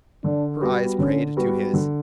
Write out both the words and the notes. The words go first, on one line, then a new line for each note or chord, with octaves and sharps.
Her eyes prayed to his.
D3 D4
G3 B3 F#4
D3 C#4
G3 B3 F#4
D3